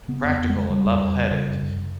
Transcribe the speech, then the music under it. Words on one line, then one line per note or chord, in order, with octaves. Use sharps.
practical and levelheaded
C#3 B3
F2
B3
F2
C#3 G#3
C#3 G3
F2
F2
C#3
C#3
F#2
F#2
C#3